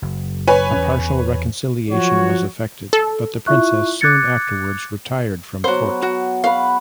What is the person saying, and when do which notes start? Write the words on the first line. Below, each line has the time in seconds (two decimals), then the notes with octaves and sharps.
A partial reconciliation was effected, but the princess soon afterwards retired from court.
0.02 F#1
0.48 B4 C#5 G#5
0.73 E2 C#4
1.91 F3 F#3 F#4 C#5
2.93 A4
3.47 E4 F4 E5 C#6 F#6
4.01 D6 F#6 G#6 A6 C#7
5.64 F#3 B3 F#4 C5
6.03 F#4
6.44 B4 F5 F#5 C#6